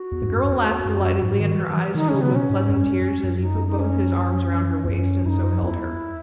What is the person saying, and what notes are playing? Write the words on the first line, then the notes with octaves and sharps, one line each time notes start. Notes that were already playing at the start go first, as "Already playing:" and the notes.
The girl laughed delightedly, and her eyes filled with pleasant tears, as he put both his arms round her waist and so held her.
Already playing: F#4
E2
G#2
F#2
E2
F#2
G#2
D#3
E3
E3
E3
D#3 D#4
C#4
C#3
B3
B2 C#4
G#2
F#2
F#2
F#2
D#4
D#4
C#4
E2
F#2 C#4
F#2 D#4 E4
E2 E4